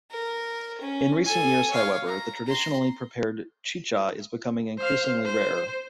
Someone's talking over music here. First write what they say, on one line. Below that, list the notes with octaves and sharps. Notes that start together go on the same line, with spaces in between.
In recent years, however, the traditionally prepared chicha is becoming increasingly rare.
A#4
C#4
A4 G#5
C#5 F5
A#5
A#5 C6
C5 F5
C5